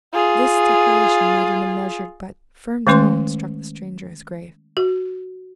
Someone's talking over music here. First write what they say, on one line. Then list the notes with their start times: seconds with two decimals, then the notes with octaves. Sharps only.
This declaration, made in a measured but firm tone, struck the stranger as grave.
0.13 F4 G#4
2.87 D#3 G#3 A3 C#4 B4 C6
4.77 F#4